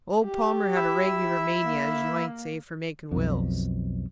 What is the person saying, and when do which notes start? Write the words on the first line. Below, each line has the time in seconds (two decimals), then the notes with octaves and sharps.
Old Palmer had a regular mania, as ye might say, for makin' wills.
0.24 G4
0.76 E4 E5 E6
1.64 A#3
3.12 B1 F2